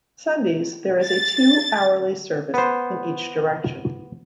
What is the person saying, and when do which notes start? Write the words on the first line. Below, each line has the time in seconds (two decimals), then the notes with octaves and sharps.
Sundays there is a two-hourly service in each direction.
1.05 A6
2.54 B3 C5